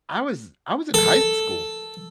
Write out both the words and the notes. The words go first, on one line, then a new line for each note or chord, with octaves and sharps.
I was I was in high school,
A4